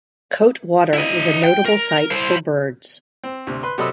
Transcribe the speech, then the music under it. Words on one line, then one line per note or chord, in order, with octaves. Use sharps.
Coate Water is a notable site for birds.
E4 D#5
G5
A#4
E4 C5
C4
D2 C3
B4 C6
C3 F#3 A4 D#5 B5 E6